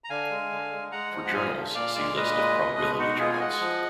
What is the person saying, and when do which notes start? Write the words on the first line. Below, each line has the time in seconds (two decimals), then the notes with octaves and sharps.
For journals, see list of probability journals.
0.04 A#5
0.10 D3 F5 G#5
0.31 G#3
0.52 D3
0.72 G#3
0.92 G#3 F#5 A#5
1.12 F3
1.26 F#5
1.33 A#2 F5 G#5
1.54 A#2
1.74 A#2 D5 F5
1.95 G#3 D5 F5
2.16 A#2 B4 D#5
2.37 G#3
2.58 B2
2.78 G#3
2.98 B2 D#4 F#4
3.19 G#3 F4 G#4
3.32 G#5
3.40 G#3 D#5 F#5
3.60 F3